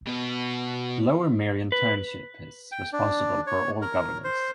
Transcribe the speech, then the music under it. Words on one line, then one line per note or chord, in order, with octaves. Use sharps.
Lower Merion Township is responsible for all governance.
B2 B3
B4
G5
D4
C#5
A#4
C5